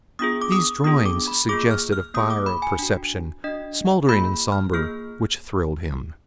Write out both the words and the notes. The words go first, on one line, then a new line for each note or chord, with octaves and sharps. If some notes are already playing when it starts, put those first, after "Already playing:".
These drawings suggested a fire of perception, smoldering and somber, which thrilled him.
B3 D4 F4 G#4 D#6
D6
D#6
B3 D4 F4 G#4 D#6
D6
B5
A#3 F4 G#4 D6
F6
F6
A#3 F4 G#4 D#6
D6
B5
G#5
D4 F#4
D4 F#4 D#5
A#3 F4 G#4 B5
F6
A#3 F4 G#4 F6